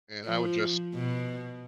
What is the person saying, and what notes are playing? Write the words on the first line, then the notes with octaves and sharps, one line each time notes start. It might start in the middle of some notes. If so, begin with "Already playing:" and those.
and I would just
F3
B2